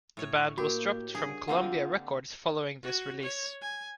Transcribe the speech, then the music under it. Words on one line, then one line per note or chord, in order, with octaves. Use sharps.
The band was dropped from Columbia Records following this release.
A2 C#5
A#3 F#4 G4 A#4
C#3 G3 D4 F#4 G#4
D3 A#3 C4 F4 F#5 G5
F#4
C#5
G#5